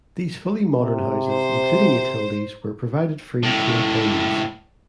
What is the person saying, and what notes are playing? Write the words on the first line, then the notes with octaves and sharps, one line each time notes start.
These fully modern houses, including utilities, were provided free to employees.
C3
C5
C#2 A2